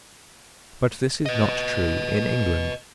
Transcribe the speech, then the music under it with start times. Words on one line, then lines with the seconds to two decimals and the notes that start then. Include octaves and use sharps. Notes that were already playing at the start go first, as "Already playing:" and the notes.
But this is not true in England.
1.26 B4 D#5